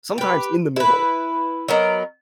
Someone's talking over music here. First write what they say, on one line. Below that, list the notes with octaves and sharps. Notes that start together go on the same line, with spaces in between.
sometimes in the middle,
G4 B4
E4 B4
F#3 B3 A#4 D#5